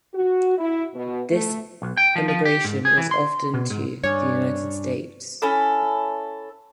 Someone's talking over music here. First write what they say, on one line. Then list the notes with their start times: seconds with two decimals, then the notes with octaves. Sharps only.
This emigration was often to the United States.
0.14 F#4
0.58 E4
0.94 B2
1.30 A3
1.82 B1
1.97 G5
2.16 F3
2.28 F3
2.45 G4
2.65 G#2
2.85 G#4
2.98 E3
3.11 C6
3.53 B2
3.70 G#2
4.03 G2 C#4 D4 C#5
5.42 C#4 E4 A4